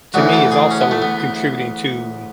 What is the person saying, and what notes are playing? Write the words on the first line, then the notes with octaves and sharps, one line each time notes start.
to me is also contributing to,
D2 C#3 E3 F#4
A4
G#4
C#4
B3
A3
B3